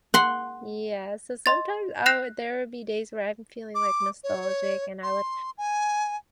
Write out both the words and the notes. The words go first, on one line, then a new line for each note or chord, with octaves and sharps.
Yes, so sometimes I would there would be days where I'm feeling, like, nostalgic, and I would,
F#5 C6
D#5 C6 A6
F#6 A#6 C7 E7 F7
D6
C#5
C6
G#5